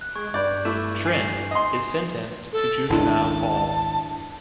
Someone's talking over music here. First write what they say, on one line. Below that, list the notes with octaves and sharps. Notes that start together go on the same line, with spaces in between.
Trent is sentenced to juvenile hall.
F#6
G#3 C#6 G#6 D7
G2 D5 B5 G6 D7
A3 E4 C#6 D6 E7
G#5 C7
D#5 C6
A4
G#1 C#2 D4 E4 A5